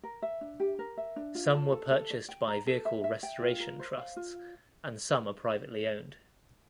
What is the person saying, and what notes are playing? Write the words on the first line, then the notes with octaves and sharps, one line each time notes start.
Some were purchased by vehicle restoration trusts and some are privately owned.
A#4
E5
D4
G4
A#4
E5
D4
F4
A5
A4
A4
D5
G5
A#5
A4
E5
E5
G5
F4
A#4
C5
F5
F4